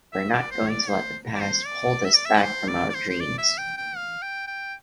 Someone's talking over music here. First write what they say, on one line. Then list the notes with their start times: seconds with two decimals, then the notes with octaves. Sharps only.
We’re not going to let the past hold us back from our dreams.
0.13 E5
0.32 D5
0.51 C5
0.70 D5
0.89 C5
1.35 D5
1.41 C5
1.66 D5
2.05 E5
2.14 D5
2.25 E5
2.37 B4
2.43 C5
2.68 D5
2.90 D5
2.94 C5
3.09 C5
3.20 D5
3.38 E5
3.58 G5
3.77 G5
3.97 F5
4.22 G5
4.47 G5